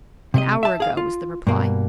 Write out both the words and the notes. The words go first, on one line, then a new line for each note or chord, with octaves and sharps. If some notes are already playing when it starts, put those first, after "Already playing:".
"An hour ago," was the reply.
C3 D#5
E5 A5
G#4 F5
F4
G2 B2 A#3